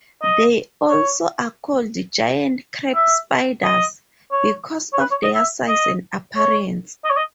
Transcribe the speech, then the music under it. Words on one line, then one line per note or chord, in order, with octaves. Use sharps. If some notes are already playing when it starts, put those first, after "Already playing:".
They also are called giant crab spiders because of their size and appearance.
D#5
C#5
E5
D#5
C#5
C#5
B4
C#5
D#5
E5
D#5
C#5
D#5
C#5
D#5